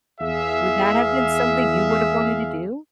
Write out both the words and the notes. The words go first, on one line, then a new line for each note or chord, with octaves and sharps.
Would that have been something you would have wanted to do?
E2 G#4 E5 F5